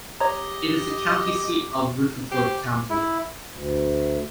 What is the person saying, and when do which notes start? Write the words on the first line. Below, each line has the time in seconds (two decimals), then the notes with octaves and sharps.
It is the county seat of Rutherford County.
0.20 G4 C#5 D#5 A#5
2.31 G4 C5
2.90 E4
3.53 D2